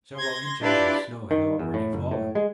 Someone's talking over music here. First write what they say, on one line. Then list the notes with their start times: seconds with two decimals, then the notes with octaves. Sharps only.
Several inches of snow had already fallen.
0.16 C6 G#6 A#6
0.61 D4 E4 F4 G4 B4 D5
1.31 D#3
1.59 E2
1.74 A2
1.93 F#1
2.11 A2
2.35 G#3